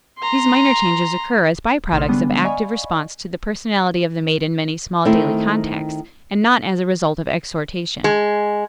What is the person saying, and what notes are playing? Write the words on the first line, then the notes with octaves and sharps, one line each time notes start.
These minor changes occur as by-products of active response to the personality of the mate in many small daily contacts, and not as a result of exhortation.
A#5 C6
A1 C3 D#4 C6 F6
D3 G3 G#3 B3 C#4 D4
D5 D#5 F5 G#5 B5 C#6
D#3 A3 C4 E4
G#3